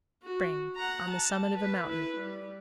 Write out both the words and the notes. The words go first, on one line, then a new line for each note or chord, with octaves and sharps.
Spring.--On the summit of a mountain.
F#4
F#5 A#5
A5
B4
E4 B4
G3